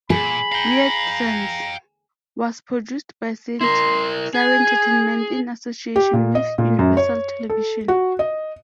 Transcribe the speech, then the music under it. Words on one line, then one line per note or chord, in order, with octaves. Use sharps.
"Weird Science" was produced by Saint Clare Entertainment in association with Universal Television.
A#2 G#4 B5
F5 G5 A#5
E4 A#4 C6
G#4 G#5
G4
A#2
D#5
A#2
F#2
C#5
A4
F#4
D#5